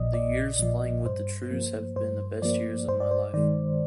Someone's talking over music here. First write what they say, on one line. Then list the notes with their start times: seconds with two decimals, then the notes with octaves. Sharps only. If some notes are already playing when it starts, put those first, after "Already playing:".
The years playing with the Trews have been best years of my life.
Already playing: A#1 A#2 F3 D5 D#5
0.14 A#1 D5
0.59 A#2 F3
1.06 G2 C5
1.51 F3 A#3
1.96 G2 C5
2.42 F3 A#3 D5
2.88 G2 C5
3.00 D5
3.11 C5
3.34 D#3 G#3 D5